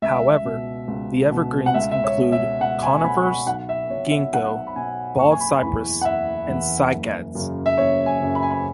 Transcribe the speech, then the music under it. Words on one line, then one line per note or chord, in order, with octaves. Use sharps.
However, the evergreens included conifers, ginkgo, bald cypress, and cycads.
C#2 E5
B2
C#2
B2
F#5
C#2 E5
E5
C#5
B2
E5
C#2 F#5
G#5
G#5
B2 B5
C#6
B5
B1 F#5
E5
B2 C#5
E5
B1 F#5
B5
B2 G#5
F#1 C#6
G#5
B5
E2 E3 B5
F#5
F#1 E5
E2 E3
F#1
F#2 C#3
E5
F#1 C#5
G#5
F#2 C#3
B5
G#5
B5